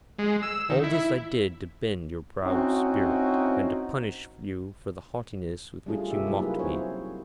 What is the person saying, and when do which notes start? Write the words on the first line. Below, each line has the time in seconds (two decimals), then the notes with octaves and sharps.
All this I did to bend your proud spirit, and to punish you for the haughtiness with which you mocked me.'
0.19 G#3
0.42 E6
0.70 D#3
0.83 E4
2.44 C4 C#4 D#4 E4 F#4
5.86 G3 A3 C#4 D4 F4 G#4
6.10 C3 A#3 C#4 D#4 G4 E5
6.27 F#3 G3 E4 F4
6.40 A#3 D#4 F#4 G#4 B4
6.59 C4 E4 F#4 C5 C#5